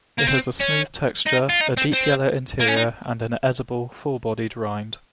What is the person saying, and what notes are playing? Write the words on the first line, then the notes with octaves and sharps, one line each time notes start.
It has a smooth texture, a deep yellow interior and an edible, full-bodied rind.
A#3
C4
C#4
D#4
F4
D#4
C4
C4
A#3
C#4
D#4